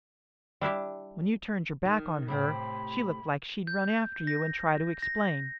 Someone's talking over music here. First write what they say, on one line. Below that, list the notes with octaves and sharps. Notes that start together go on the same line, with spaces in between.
When you turned your back on her she looked like she'd run after you and try to explain.
G3 D4 E4 G4
D#3
A2 C3 C4 B5
G6
A#6
A#6